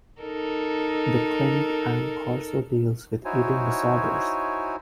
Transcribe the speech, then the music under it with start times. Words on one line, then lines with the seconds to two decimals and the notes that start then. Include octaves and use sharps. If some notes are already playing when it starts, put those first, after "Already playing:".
The Klinik am Korso deals with eating disorders.
0.21 D#4 A4 A#4
3.25 D#4 E4 F#4 C5 C#5 G#5